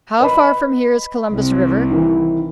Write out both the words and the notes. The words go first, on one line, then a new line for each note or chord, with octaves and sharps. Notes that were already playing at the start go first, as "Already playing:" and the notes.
How far from here is Columbus River?
B4 D#5 B5
C2
D#3 E3